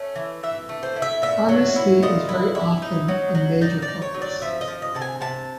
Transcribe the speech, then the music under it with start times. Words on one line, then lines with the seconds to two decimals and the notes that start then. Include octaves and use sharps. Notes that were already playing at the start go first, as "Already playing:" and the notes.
Honesty is very often a major focus.
Already playing: A3 C#4
0.15 E3
0.43 E3 E5
0.69 A3
0.83 C5
0.96 E4
1.02 E5
1.22 A#2 E5
1.49 F#3
1.76 E4
2.03 A#2 D#5
2.29 E4
2.55 E4
2.82 D#4
3.08 F#3
3.35 F#3
3.61 D#4 D5
3.82 D5
3.88 D#4
4.02 C#5
4.15 F#3
4.22 D5
4.42 F3 E5
4.61 D#5
4.68 F3
4.82 D#5
4.95 C3 A5
5.02 G#5
5.21 C3 A5